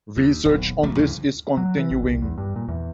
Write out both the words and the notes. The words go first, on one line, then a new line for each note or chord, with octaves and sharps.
Research on this is continuing.
D#2
D#1 B1
A#1 F3 A3
D2 G2 C#3 E3
F#3
E3
G#1
C2
E2
G2
A#2
E2